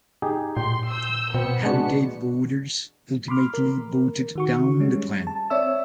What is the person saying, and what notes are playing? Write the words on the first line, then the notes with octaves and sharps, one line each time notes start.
Halliday voters ultimately voted down the plan.
D#4 G4 G#4
A#2 G5 C6
E6 G6
B2 B3 C4 C#7
G#3 D4 F#4
B5 C6 D6 F6
A#4
D#3 F#4 C#6
G3 G#3 C#4
A5
C4 C#5 D5 E5 E6